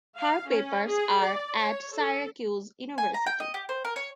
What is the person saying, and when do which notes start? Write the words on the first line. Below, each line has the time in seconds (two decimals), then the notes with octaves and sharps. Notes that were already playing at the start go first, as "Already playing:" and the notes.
Her papers are at Syracuse University.
0.18 F5
0.48 C#4
0.88 G#4
1.20 D5
1.57 C#5
1.94 A4
2.98 G#5
3.14 A#5
3.26 G5
3.40 D#5
3.54 G4
3.69 C5
3.85 A#4
3.96 C#5